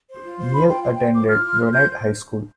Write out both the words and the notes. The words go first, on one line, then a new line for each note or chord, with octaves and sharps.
Neal attended Granite High School.
C5
F4
C5
F4 B5
C5 G5
C5 F5
C5 G5
F4 D6
F4 F6
F4
C5
C5 G6